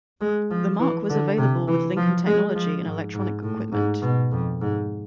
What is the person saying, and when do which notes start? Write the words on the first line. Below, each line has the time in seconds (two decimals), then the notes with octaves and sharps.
The Mark was available with Lincoln technology and electronic equipment.
0.21 G#3
0.50 F3
0.79 E3
1.09 D3
1.38 C3
1.68 E3
1.97 F3
2.27 G#3
2.55 F3
2.85 G#2
3.14 G#2
3.43 A2
3.73 G#2
4.02 B2
4.31 F2
4.61 G#2